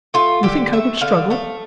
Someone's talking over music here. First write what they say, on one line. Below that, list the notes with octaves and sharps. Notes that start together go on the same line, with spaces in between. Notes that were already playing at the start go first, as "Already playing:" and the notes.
You think I would struggle?
A3 F4
D3 G4
A3 E5
D3 F5
A3 F5